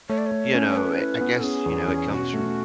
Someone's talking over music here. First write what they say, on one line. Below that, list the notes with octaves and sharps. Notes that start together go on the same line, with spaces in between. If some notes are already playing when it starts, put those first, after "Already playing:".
you know, eh, I guess, you know, it comes from
A3 C#5
D5
C#5
A3
C#4
C#5
A4 B4
E4
B3
C#4 G#4
E2
C#4
B2 F#4
A3